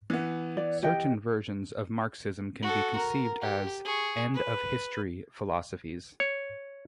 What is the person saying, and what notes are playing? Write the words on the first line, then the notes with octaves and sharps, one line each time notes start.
Certain versions of Marxism can be conceived as "end of history" philosophies.
E3 B3
D5
G4 D#5 G5
F#4 A4
A#4
G4
G#4 C#6
B4
C#5